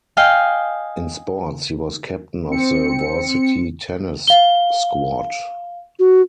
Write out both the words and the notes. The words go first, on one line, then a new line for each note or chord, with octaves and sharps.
In sports, he was captain of the varsity tennis squad.
D#5 F5 G5 G#5
C4 C#7
F5 G7
F#4